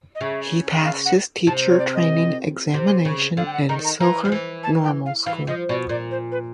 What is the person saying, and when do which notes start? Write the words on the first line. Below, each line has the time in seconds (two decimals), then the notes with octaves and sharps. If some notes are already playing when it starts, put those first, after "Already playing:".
He passed his teacher training examination in Silchar Normal School.
0.15 D#5
0.21 C#3 E5
0.85 F5
1.05 F#5
1.47 C3 A5
1.70 C#5
1.79 D5
1.95 D#5
2.74 C3
3.05 C#3
3.37 D3 F5
3.46 G5
3.53 F#5
3.69 D#3 A#5
3.85 A#5
4.00 E3 A#5
4.25 F3
4.32 E3
4.64 A5
4.84 G5
5.06 F5
5.26 E3 F5
5.47 F3 D#5
5.69 B2 D5
5.89 A#2 D5
6.11 C5
6.32 B4